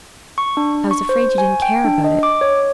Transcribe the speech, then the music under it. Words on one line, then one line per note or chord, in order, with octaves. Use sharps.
"I was afraid you didn't care about it."
C#6
D4
C#6
C5
G#5
G5
D4
D#5
D6
C#5